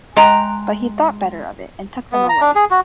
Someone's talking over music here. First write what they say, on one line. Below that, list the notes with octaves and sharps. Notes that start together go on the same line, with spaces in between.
But he thought better of it, and took them away.
G#3 G5 A#5
B3
A#5
D4
G#4
F#4